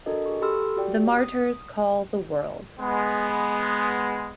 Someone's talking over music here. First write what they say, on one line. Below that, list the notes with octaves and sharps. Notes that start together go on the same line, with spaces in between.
The martyrs call the world.
D4 F#4 A4 A#4 D#5
G#4 C#6
G4 A4 B5 C6 E6 F6
F#4 G4 D5 G5
D#6
G#3 B3